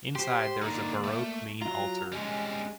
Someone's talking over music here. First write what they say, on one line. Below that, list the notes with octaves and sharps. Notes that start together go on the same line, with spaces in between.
Inside there is a Baroque main altar.
G4 C5 C6
D3 A#3 D#4 D5
A3
F#3 F4 A#5
G3 G#3 C#4